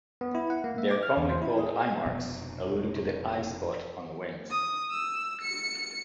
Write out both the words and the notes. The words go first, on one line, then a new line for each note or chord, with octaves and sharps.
They are commonly called eyemarks, alluding to the eyespot on the wings.
B3
E4
F#5
A#3
E5
D6
F6
E2
C5
E4
G#4
F1 F2 B2 B3
D#6
E6
C#7